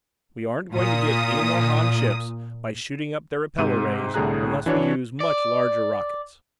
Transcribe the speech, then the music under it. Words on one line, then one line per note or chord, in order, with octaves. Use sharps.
We aren't going to get any more Han ships by shooting up their repellor rays unless we use much larger rockets.
A#2 D#6
G#2 C3 D#7
C2 A2 D3 G#4 A#5 F#6
E3 D4 F#4 C#5
D5